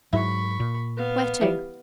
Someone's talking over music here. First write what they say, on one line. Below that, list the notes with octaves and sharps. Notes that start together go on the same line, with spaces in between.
"Where to?"
G#2 F#3 E4 B5 C#6
A#2
B3 F5
E3 G3